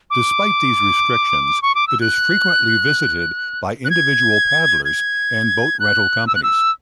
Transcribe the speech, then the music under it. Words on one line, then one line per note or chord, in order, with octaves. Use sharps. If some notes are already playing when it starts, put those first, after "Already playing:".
Despite these restrictions it is frequently visited by individual paddlers and boat rental companies.
D6
C#6
D6
E6
F#6
F#6
G#6
G#6
F#6
E6
F#6
E6